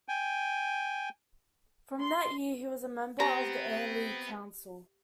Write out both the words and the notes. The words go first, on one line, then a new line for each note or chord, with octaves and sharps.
From that year he was a member of the Air League Council.
G5 G#5
C6
B3 C4 G4 A#5